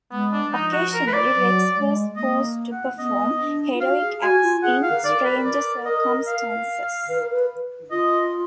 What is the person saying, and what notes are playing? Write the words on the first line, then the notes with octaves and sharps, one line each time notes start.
Occasionally Rex was forced to perform heroic acts in stranger circumstances.
G#3 B3
D4
F3 D#4
F#4
A#4
B4
D5
F#3
G#3
A#3 D#5
F#5
B3 D#5
D4
F4
F#4 F5
G#4
F#4 G#5
F4
G#4 F#5
F5
A#4
D5
A#4
B4
D5
D#5
F5
B4
A#4
B4
F4 D#5